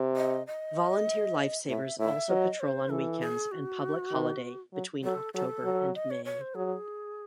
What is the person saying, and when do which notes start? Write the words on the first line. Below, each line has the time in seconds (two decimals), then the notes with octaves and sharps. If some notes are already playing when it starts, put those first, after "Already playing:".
Volunteer Life Savers also patrol on weekends and public holiday between October and May.
Already playing: C3
0.16 D#5
0.47 D#5
1.68 A2 E5
1.99 A2 E5
2.29 F#3 D#5
2.60 C5
2.90 E3 A4
3.21 G#4
3.52 F#4
4.12 D#3
4.73 F#3
5.04 F#3 A4
5.34 F#3 A4
5.64 F#3
5.95 D#5
6.10 C#5
6.25 C#5
6.41 C5
6.56 F#3 G#4